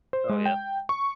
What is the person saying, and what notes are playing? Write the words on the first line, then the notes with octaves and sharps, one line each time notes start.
Oh, yeah.
C5
G#3
G5
C#6